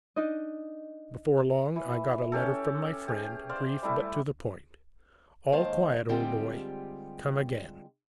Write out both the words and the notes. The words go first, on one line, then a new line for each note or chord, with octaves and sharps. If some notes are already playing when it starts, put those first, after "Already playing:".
Before long I got a letter from my friend, brief but to the point: "All quiet, old boy; come again."
D4 D#4 D#5
E3
C#4 G4 A4
G4 G#4
C5 D5 F5
G3 A3 E4
D#2 D#3 G#3 C5 F5 A5
D3 G3 G#3 C4 F4 G4